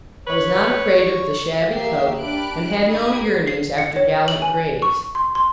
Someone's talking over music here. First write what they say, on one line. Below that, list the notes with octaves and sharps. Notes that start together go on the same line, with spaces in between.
I was not afraid of the shabby coat, and had no yearnings after gallant greys.
B4 C#5
A#3 G4 E5 C7
D4 G4 B5 F6 F#6 D7
D#4 G4 B5 D#6 G#6
C7
C#7
C#5
F#7
G#5
C#6
C6
C6